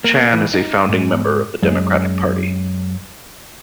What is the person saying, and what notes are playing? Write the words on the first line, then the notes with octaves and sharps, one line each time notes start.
Chan is a founding member of the Democratic Party.
A#3
E3
D#4
G#2
F#2 G#3